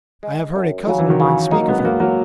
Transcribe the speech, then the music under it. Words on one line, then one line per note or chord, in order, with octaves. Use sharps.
"I have heard a cousin of mine speak of him."
G#3
F#2
C#3 F#3
E3
D#3 F#3
C#3
F#3 A#3 D#4
G#3 B3
B3
F#3 A#3 F#4
F#3 A#3